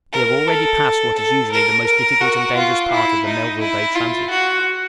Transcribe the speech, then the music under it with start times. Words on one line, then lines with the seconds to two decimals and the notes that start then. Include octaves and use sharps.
We have already passed what is usually the most difficult and dangerous part of the Melville Bay transit.
0.13 A#4
0.47 A4
1.16 A4
1.52 A#4
1.86 A#4
2.21 F#4
2.56 F4
2.90 E4
3.26 D#4
3.61 E4
3.95 F4
4.30 F#4